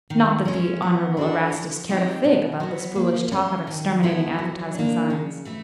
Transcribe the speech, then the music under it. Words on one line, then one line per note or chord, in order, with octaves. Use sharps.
Not that the Honorable Erastus cared a fig about this foolish talk of exterminating advertising signs.
D#3
G#3 C#4
B3
D4 F#4 A4
F3
G#3 C4 D#4 G4
B2
F#3 B3
A#3
C#4 F4 A4
D#3
G#3 B3 E4 A4
F#3
A#3 D4
C#3
E3 A3